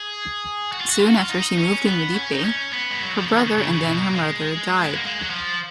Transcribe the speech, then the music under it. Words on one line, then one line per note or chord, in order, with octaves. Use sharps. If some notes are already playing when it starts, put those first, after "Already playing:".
Soon after she moved in with Ippei, her brother and then her mother died.
Already playing: G#4
F#4
F4
F#4
F4
F#4
F4
D#4
C#4
B3
C#4
D#4
C#4
B3
G#3
F#3
F3
C#3
D#3
C#3
C#3
C#3
B2
A#3
G#3
B3
A#3
G#3
F#3
F3